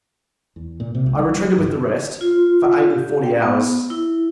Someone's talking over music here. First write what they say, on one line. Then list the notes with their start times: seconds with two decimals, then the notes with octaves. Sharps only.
I retreated with the rest, for eight and forty hours.
0.56 E2
0.80 A#2
0.95 C3
1.06 C#2
1.19 G3
1.37 F#3
1.58 G2
2.21 F4
2.90 G4
3.24 G5
3.42 B3
3.90 E4